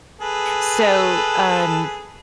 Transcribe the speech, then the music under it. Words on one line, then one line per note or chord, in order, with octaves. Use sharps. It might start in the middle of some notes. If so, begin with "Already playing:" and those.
So, um,
G#4 A4 B4